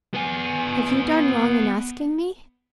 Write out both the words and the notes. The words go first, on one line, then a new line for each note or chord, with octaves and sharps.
Have you done wrong in asking me?
B3 G#5